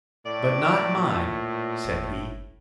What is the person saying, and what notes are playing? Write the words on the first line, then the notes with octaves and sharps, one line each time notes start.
"But not mine," said he.
A2 D5
A#2
G1